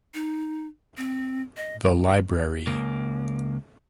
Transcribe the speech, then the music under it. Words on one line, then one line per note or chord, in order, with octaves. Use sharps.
The Library.
D#4
C4
D#5
C#2 A#3